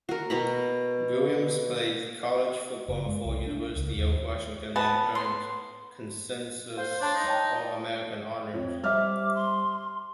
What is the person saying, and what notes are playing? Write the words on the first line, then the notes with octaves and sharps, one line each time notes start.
Williams played college football for the University of Washington, and earned consensus All-American honors.
F#4 A#4
B2 A#5 B5
F#1
G#3
C2
D4
C#2
D#2
B3 A5
C6
C5 F5
D4 C#5 A5 C6
D#4
C#5 G5 A5
F2 C#5
G3 G4 C5 E5 D6 F6
C6